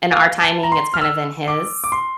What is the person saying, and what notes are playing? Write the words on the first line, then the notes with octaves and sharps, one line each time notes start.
in our timing, it's kind of in his.
F5
A5
A#5
C6
F6
E6
D6
D6
C6